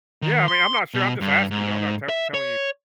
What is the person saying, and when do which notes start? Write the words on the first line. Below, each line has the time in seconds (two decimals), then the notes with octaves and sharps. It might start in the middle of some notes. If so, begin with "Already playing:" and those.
Yeah, I mean, I'm not sure, I'm just asking, you know? I'm not tell telling you
0.22 D#3
0.48 C6
0.94 B2
1.21 G2
1.51 G#2
2.09 E5
2.34 C#5